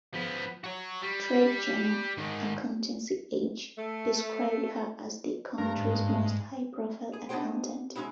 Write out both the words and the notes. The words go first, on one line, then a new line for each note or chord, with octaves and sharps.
Trade journal "Accountancy Age" described her as "the country's most high profile accountant".
F3 B3
F#4 C#5
G3
G#2 D#3
A3
G2 A#4
G#2
G#4
B3 D4 D#4 G#4 C5 G5
G#3 A#3 C#4 D#4 E4